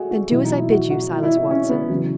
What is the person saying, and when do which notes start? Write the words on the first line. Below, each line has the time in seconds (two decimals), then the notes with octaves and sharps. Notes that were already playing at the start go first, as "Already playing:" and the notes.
"Then do as I bid you, Silas Watson."
Already playing: A3 F#4 G#4
0.11 F#4
0.31 E2 B2 F#3 E4
0.44 D#4
0.58 E4
0.71 F#4
0.90 F#4
1.11 E4
1.23 E4
1.37 E4
1.51 C#4
1.69 B3
1.90 E2 C#3 F#3